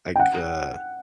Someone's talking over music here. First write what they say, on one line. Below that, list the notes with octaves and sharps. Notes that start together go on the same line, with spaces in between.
like, uh,
G5
F#5